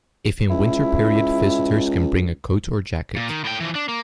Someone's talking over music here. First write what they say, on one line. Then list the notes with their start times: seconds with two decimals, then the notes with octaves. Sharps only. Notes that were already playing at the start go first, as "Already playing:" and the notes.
If in winter period, visitors can bring a coat or jacket.
0.50 C#2 E4
3.16 A#2
3.29 D#3
3.44 A2 G5
3.60 E3 F3
3.75 D4
3.89 A#3